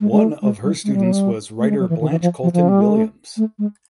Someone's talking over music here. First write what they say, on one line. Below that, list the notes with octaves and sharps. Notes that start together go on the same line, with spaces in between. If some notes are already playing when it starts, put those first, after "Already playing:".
One of her students was writer Blanche Colton Williams.
G#3
G#3
A3
G#3
G3
G#3
G3
F#3
G3
A3
G#3
F#3
E3
D#3
E3
F3
F3
F3
G3
G#3
A3
A3
G#3